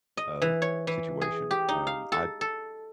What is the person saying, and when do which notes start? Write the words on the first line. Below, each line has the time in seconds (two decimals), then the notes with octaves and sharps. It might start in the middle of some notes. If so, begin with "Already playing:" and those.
uh, situation. Um, I
0.17 D#5
0.42 E3
0.62 C#5
0.87 E3
1.21 G#4
1.51 G4
1.69 D#4
1.87 F5
2.12 A4
2.41 A4